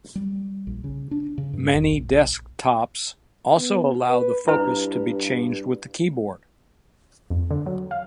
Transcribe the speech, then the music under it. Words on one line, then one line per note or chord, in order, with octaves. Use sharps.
Many desktops also allow the focus to be changed with the keyboard.
G3
A#1
C#3
D4
C#3
G2
E1
A#1
B3
B4
G2 E4 B4
F2
D3
F#3
F5